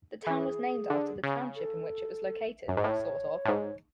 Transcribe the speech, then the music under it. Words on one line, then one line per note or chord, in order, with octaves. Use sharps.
The town was named after the township in which it was located-sort of.
A4
E3 G#4
D3
C#3
A4
F#2
G#2
A2 C#5
A2
G#2